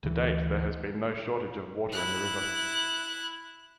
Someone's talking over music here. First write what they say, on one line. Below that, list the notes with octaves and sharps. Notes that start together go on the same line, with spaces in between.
To date, there has been no shortage of water in the river.
D2 E3
E4 F#6